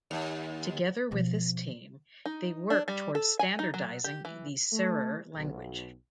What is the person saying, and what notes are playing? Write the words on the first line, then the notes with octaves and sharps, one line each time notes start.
Together with his team, they work towards standardizing the Serer language.
D#2
B2 F3
D#4
D4
G3
A4
G#5
D#4
F#3
G4
E3
A3
B1